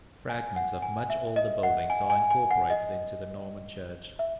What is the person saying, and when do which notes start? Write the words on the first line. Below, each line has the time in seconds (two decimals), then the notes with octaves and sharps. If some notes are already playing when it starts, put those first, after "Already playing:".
Fragments of much older buildings are incorporated into the Norman church.
0.29 G#5
0.56 F#5
0.82 G#5
1.10 E5
1.36 D#5
1.63 F#5
1.90 G#5
2.10 G#5
2.30 G#5
2.51 F#5
2.70 D#5
4.19 E5